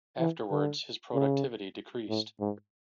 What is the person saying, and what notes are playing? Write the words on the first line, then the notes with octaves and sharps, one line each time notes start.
Afterwards his productivity decreased.
E3
D3
C#3
A2
G#2